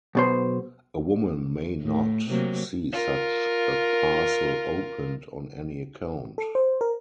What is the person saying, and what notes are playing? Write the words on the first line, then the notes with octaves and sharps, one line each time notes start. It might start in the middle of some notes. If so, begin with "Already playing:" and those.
A woman may not see such a parcel opened on any account.
B1 B2 C5
A2
C3 F#3 A#3
F4 A#4
A4
C5
A#4